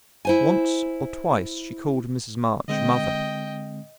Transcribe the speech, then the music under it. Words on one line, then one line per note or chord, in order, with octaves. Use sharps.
Once or twice she called Mrs. March "Mother."
E4 C5 G#5
D3 G#3 C4 D#5 G5